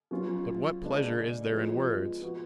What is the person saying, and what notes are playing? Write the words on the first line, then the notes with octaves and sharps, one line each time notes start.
But what pleasure is there in words?
F#3 C#4 F4
C#3 G#3 D4
F3 G#3 B3 F4
F3 B3 F#4